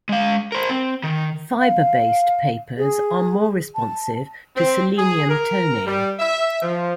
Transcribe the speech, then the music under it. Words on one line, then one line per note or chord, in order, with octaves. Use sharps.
Fibre-based papers are more responsive to selenium toning.
G#3 F5
A#4 C5
C4
D#3
F5
G#4
A5
C4
G#4
A#4
G3
E5
F3